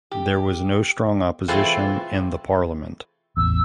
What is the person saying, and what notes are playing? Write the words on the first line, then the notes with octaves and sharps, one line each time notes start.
There was no strong opposition in the parliament.
G4
C3 E3 A3 C4 F4 G#4
A1 E2 E6